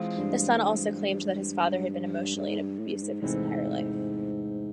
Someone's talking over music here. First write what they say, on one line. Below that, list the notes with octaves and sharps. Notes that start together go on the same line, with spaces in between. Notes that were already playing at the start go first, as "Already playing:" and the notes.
The son also claimed that his father had been emotionally abusive his entire life.
Already playing: E3 G#3 C4 F4
G2
G#2
G2
G2
G#2
G2
A2
G#2
G2
G#2
E2 G#2 C3 E3 A3 C4